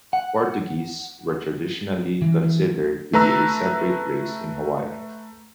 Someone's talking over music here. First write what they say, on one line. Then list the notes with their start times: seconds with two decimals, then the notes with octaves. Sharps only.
Portuguese were traditionally considered to be a separate race in Hawaii.
0.13 F#5
2.22 E3
3.13 A3 B4 A#5 E6